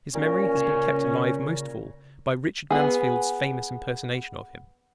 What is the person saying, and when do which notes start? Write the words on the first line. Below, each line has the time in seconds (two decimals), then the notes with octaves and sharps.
His memory has been kept alive most of all by Richard Mansfield's famous impersonation of him.
0.15 A#2 C#4 A#4 C#5
0.57 C#3
2.70 B3 G#4